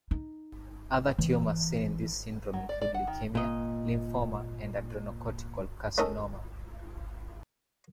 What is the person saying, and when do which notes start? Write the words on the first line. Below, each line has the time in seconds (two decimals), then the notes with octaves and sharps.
Other tumours seen in this syndrome include leukemia, lymphoma and adrenocortical carcinoma.
0.11 D#4
1.18 E3
2.53 F#3
2.69 D5
2.82 D5
2.94 F#5
3.07 D#3
3.35 A#2 D#5
5.98 A3 C#4 D#4 A4 A#4